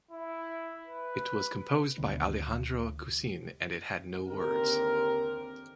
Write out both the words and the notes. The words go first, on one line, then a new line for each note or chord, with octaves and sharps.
It was composed by Alejandro Cousin and it had no words.
E4
B4
D2 B2 D#3 D4
D#2 D3 C4 G4 A#4